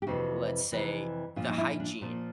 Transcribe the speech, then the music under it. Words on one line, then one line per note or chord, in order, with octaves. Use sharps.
Let's say the hygiene-
G4
F2 C3 E3 F#4
F2 C3 E3
A#2 F3 F4
D#4
E4
D4
A#2 F3